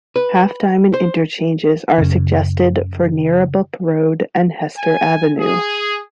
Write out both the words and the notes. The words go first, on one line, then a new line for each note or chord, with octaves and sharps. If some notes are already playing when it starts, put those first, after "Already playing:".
Half-diamond interchanges are suggested for Neerabup Road and Hester Avenue.
B4
C5
F#2 C#3
G#5
G#4